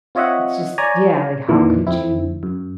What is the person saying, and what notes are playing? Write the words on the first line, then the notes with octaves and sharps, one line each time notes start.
it's just yeah, like, how could you
C4 F4 C#5 D#5 E5 F#5
C#5 D5 G#5 A#5
F2 A#2 D#3 E3
F2 C4 E4
F#2